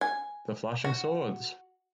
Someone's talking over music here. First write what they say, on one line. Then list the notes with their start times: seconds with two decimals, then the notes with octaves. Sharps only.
The Flashing Swords!
0.01 G#5
0.84 F#4